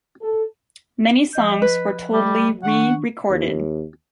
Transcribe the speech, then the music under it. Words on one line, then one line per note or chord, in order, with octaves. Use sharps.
Many songs were totally re-recorded.
A4
F3 D#5 G6
B4
G3
D#3 D4 F#5 C#6
D#2